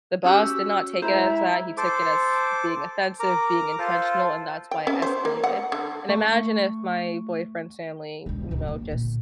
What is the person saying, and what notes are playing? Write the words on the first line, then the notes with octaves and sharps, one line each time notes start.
the boss did not take it as that, he took it as being offensive, being intentional, and that's why it escalated, and imagine if my boyfriend's family, you know, just,
C#4 F#4 G4 E6
G#3 E4 C5 A#5
A4 C5 D6
A#4 A#5 D6
F4 A4 C5
G5
C#4
C5
A#3
F#5
D3
A3 C#6
E1 D3
D1 C#3
A#3
A#2 D3